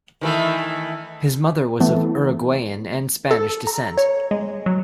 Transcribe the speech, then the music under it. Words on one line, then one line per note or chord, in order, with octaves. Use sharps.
His mother was of Uruguayan and Spanish descent.
D#3 E3 A3
E3 A3 B3
A4
A#5
C#5
G#3
F#3